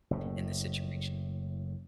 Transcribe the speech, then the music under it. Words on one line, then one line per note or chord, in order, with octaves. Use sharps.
in this situation."
F#1 A2